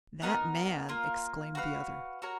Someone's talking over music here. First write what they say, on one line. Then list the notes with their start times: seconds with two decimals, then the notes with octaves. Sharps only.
"That man," exclaimed the other.
0.22 B3 D#4 A#4
0.89 A#3 F4 A#4
1.55 F#4 B4 F5
2.22 F#4 A#4 C#5